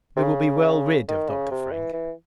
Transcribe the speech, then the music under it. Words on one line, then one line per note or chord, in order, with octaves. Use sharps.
We will be well rid of Dr. Frank.
C3
C#3
D#3
C#3
C3
E3
E3